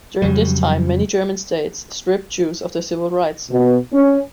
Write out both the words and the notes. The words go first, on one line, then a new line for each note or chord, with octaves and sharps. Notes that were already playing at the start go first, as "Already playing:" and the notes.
During this time, many German states stripped Jews of their civil rights.
F2 C#3 F#3 G3
B2
C#4